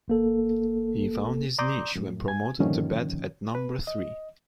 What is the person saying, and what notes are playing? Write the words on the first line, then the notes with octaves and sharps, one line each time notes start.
He found his niche when promoted to bat at number three.
G#1 A#3 A4
D5 A#5 C6 D6 D#6 G6
F#2 A2
G#5 G#6
G2 A#2 D3 D#3 F3 C#4
B4
D#5